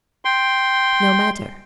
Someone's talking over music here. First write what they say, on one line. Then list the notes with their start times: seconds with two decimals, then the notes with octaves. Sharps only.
"No matter."
0.25 G5 C6